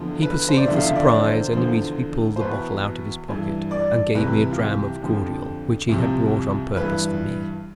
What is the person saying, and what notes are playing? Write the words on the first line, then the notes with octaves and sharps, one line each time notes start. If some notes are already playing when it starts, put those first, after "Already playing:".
He perceived the surprise, and immediately pulled a bottle out of his pocket and gave me a dram of cordial, which he had brought on purpose for me.
Already playing: E2 D3 F3
B4
C5
D5
E2 D3 F3 E5
F5
E5
D5
C5
E2 D3 F3 C5
C5
E2 B2 B4
G2 E3
D5
C2 C3 E3 B4
F4
G4
F2 D3 F3
C2 C3 F3
G2 E3 B4